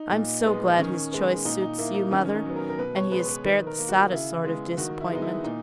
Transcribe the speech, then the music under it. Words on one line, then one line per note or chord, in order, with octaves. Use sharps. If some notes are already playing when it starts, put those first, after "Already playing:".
'I'm so glad his choice suits you, mother, and he is spared the saddest sort of disappointment.'
Already playing: D#4
A#2
G#3 B3
D#3 C#4
G#3 B3
A#2 D#4
D#4
A#3 E4
D#4
D#3 C#4
C#4
D#4
F#3 B3
A#4
A#4
B2 B4
C#5
G#3 B3 B4
B4
D#3 B4
A#4
A#3
F#4
C#3 E4
G#3 B3
D#3 F#4
E4
G#3 B3 D#4
E4
A#2 D#4